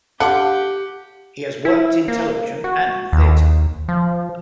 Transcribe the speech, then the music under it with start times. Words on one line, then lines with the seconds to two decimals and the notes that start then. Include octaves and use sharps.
He has worked in television and theatre.
0.20 D3 D4 F4 G4 F#5
1.65 E4
2.08 A#3
2.64 F#4
3.12 D#2
3.88 F3